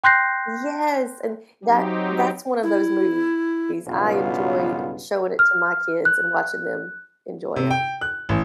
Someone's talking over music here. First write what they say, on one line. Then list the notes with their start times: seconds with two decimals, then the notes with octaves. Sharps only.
yes, and that that's one of those movies I enjoyed showing it to my kids and watching them enjoy it.
0.04 G5 C6 F#6 G6 A#6 C7
1.65 F#3 C4 D#4 G4
2.63 E4
3.87 B1 G2 C#3 B3 F4
5.39 F6
6.05 F#6
7.56 C3
7.71 G5
8.01 F#6
8.29 A1